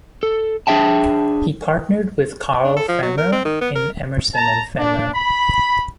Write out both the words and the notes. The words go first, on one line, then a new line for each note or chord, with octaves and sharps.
He partnered with Carl Fehmer in Emerson and Fehmer.
A4
D4 G#4 E5 G5 A5
D4
A4
F3
F#3
A#4
C4
D#3
B3
A#4
A5 A#5
D4
B5